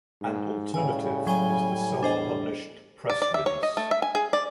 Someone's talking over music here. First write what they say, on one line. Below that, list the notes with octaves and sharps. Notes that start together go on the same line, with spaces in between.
An alternative is the "self-published press release".
G#2
A2 C#3 G3 G#5
F#3 G5 G#5 G7
E2 D4 C5 D#5
D5
D5
E5
C#5
D#5
A3
E5
G#5
G#4
D5